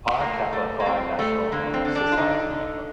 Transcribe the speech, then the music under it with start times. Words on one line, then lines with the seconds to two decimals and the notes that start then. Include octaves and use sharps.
Phi Kappa Phi National Honor Society member.
0.20 A2 A#3
0.53 G3 A3
0.80 A#3
0.86 A2 C4
1.19 G3 A3
1.52 D3 A#3
1.74 C4
1.85 D3
1.95 D4
2.12 F4
2.17 D3 D#4
2.50 D3